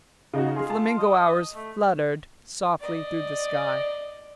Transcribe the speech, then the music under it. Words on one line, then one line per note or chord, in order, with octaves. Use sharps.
The flamingo hours fluttered softly through the sky.
C#3 D#4 F#4
F4 G#4
A5
D#5
A3
D5 D#5